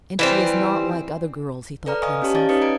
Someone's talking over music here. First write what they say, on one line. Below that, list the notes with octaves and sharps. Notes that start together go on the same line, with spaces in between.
"And she is not like other girls," he thought to himself.
E3 G3 C4
A4 B4 D5 A#5 F6
D#5 F5 G#5 A#5 C#6 D#6
C#4 G4 C#5 A5
D5 D#5 F5 A5 D6 A6
C#4 D#4 B4 C#5 D#6 C#7
D#5 A#5 G#6 D7